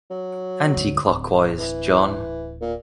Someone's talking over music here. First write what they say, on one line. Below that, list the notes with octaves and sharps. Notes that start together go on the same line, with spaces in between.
Anti-clockwise, John.
F#3
D2 G#2
D1
E3
A#2